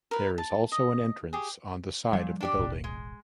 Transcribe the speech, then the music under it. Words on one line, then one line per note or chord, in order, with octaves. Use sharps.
There is also an entrance on the side of the building.
A#4 B4
A5
D#5
G4 G#4
A#2 F3 G3
D4 G4 D5
D#1 A1 B2
G#3